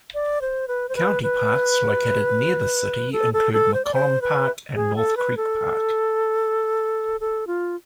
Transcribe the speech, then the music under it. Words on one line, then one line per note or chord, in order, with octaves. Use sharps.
County parks located near the city include McCollum Park and North Creek Park.
D5
C5
B4
C5
B4
B4
A4
A4
A4
C5
D5
C5
B4
G#4
A4
B4
A4
A4
F4